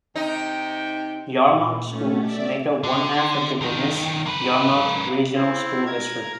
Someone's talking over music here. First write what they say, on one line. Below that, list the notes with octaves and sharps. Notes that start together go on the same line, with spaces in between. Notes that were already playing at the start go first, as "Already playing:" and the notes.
Yarmouth schools make up one-half of the Dennis-Yarmouth Regional School District.
C3 D#4 G5
A#2
A3 C#4
D5 E5
D3
B1 D#3
A#3 B4
C4 E4
A#4 G#6